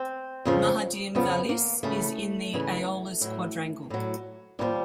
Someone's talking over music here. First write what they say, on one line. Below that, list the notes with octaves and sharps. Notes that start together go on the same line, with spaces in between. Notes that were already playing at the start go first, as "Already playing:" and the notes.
Ma'adim Vallis is in the Aeolis quadrangle.
Already playing: C4
F2 C#3 F3
F2 C#3 F3 B3
A#3
D2 C#3 E3 A3
D2 C#3 E3
A2 F#3
A2 F#3
D#2 D3 F3 G3